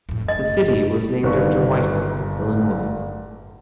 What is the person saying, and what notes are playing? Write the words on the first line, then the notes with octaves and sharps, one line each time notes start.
The city was named after White Hall, Illinois.
F2 A2
F#1 A3 D#5
G1 D#3 B4 C#6